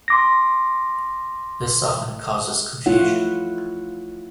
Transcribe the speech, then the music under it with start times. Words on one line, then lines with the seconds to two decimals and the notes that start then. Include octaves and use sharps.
This often causes confusion.
0.08 C6 D6 A#6
2.86 A3 E4 F4 C#5 F#5